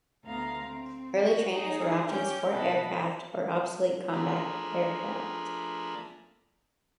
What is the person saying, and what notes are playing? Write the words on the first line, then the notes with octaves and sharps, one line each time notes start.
Early trainers were often sport aircraft or obsolete combat aircraft.
D2 B3 F5 A#5
C4
F#4 B4
D#4 G#4
C#4 G4 G5 G6
B2 D#5 F#5 A5 B5
F3 A3 D4 G#4 A#4 B5